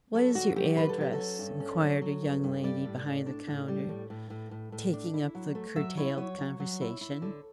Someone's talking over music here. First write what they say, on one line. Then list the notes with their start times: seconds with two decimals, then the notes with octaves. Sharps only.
"What is your address?" inquired a young lady behind the counter, taking up the curtailed conversation.
0.14 F#3 A4
0.35 D3 F#4
0.56 F#3 G4
0.76 D3 B4
0.89 A4
0.98 F#3 G4
1.13 A4
1.18 C#4
1.39 G2
1.60 C#4
1.81 F#3
2.02 F#3
2.22 G2
2.44 G2
2.64 G3 D5
2.85 A2
3.05 A2
3.26 D4
3.47 A2
3.68 G3
3.89 A2
4.10 A2
4.30 A2
4.51 A2
4.72 A2
4.93 D4
5.14 E4
5.35 F#3
5.55 A3
5.76 F#3 E5
5.97 E4 C#5
6.17 F#3 C#5
6.38 F#3
6.60 F#3
6.81 E4
7.01 E4
7.22 D3